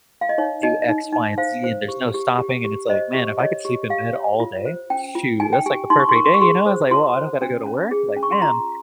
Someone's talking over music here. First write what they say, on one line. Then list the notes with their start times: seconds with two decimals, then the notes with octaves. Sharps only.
do X, Y, and Z, and there's no stopping," and it's like, "Man, if I could sleep in bed all day, shoot, that's like the perfect day," you know? I was like, "Well, I don't gotta go to work." Like, man,
0.21 F5
0.29 D#5
0.38 D#4 C#5
0.63 D#4 D#5
0.89 D#4
1.13 D#4
1.38 C5 F5
1.64 C5
1.88 G4
2.14 G4
2.38 G4
2.64 G4
2.89 C5 D#5
3.15 G4
3.39 C#5 D#5
3.65 G4
3.89 G4 F5
4.15 C#5
4.40 F4
4.65 C5
4.90 C#4 G5
5.15 F4
5.40 D#4 G#5
5.53 G5
5.66 G4 G#5
5.90 D#4 C6
5.99 C#6
6.09 C6
6.16 A#4 C#6
6.25 C6
6.34 C#6
6.41 G#4 C6
6.66 C5
6.91 F4 C6
7.16 C5
7.42 C#4
7.66 C#4
7.91 G#4
8.16 C#4
8.23 C#6
8.32 C6
8.42 F4 A#5